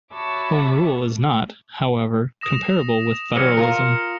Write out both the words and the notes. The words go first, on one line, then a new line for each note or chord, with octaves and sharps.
Home rule is not, however, comparable with federalism.
F#4 C#5 E5 A5 B5 D6
D#6 A#6 E7
E3 F#3 F6 C#7
F4 A#4